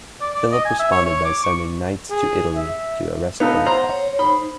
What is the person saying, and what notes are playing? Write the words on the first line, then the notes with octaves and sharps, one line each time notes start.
Philip responded by sending knights to Italy to arrest Boniface.
D5
D5
D#5
G#5
E5
C#5
C#5
D6
C#6
G#4
E5
B3 D#4 A4 F5
C5 F#5 A#5 C6
C#5
D#4 C5 B5